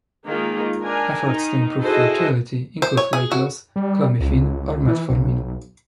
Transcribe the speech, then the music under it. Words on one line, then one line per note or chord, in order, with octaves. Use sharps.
Efforts to improve fertility include weight loss, clomiphene, or metformin.
D#3 G#3 A#3 F4
D4 A#4 G#5
D#3 D#4
E4 F#4 G#4 A4 C5 D#5
C5
C#5
G#4
F#4
G3
C#2
E3
B1